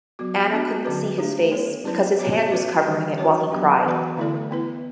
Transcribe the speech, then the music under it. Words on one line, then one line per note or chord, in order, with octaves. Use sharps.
Anna couldn't see his face because his hand was covering it while he cried.
F#3 B3 F#4
B3 D4 F#4
D3 F#3 C#4 F#4 B4
A3 D4 G4
B3 E4 A4 C#5
F#3 C#4 E4 B4 D5
B3 F#4 C#5
C#4 F#4 B4 D5
E3 G3 C#4 G4
C#4 F#4 C#5
F#3 B3 D4 G4
E3 B3 F#4 B4 D5
D3 A3 E4 A4 D5
B3 E4 B4